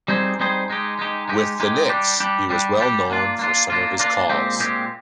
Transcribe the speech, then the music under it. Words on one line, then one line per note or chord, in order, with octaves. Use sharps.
With the Knicks, he was well known for some of his calls.
G3 C4 D#4 G#4 C5
G3 C4 D#4 G#4 C5
G#3 D#4 G4
G#3 D#4 G4
G#3 D#4 G4
G#3 D#4 G4
G3 D4 G4
G3 D4 G4
G3 D4 G4
G3 D4 G4
A#3 D4 F4
A#3 D4 F4
A#3 D4 F4
A#3 D4 F4
A#2 G#3 C4 G4
A#2 G#3 C4 G4